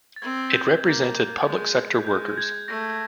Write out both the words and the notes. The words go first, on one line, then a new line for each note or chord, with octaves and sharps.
It represented public sector workers.
A6
C4 G#6
G6
A#3
G#3
F#6
G#3 G6
G#6
A3 A#6